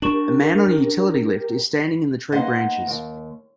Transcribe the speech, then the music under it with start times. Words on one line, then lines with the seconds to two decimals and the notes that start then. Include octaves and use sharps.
A man on a utility lift is standing in the tree branches.
0.02 D4 G4 A#4 C#6 E7 F#7
2.32 A#3 B3 D#4 C5 D#5 F#5
2.87 D#2